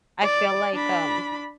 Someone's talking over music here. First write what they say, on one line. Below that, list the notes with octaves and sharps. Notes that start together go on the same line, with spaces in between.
I feel like, um
D5
D4 B5